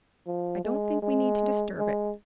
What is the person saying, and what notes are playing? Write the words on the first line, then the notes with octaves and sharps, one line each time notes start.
I don't think we need to disturb it.
F3
G#3
G#3
G#3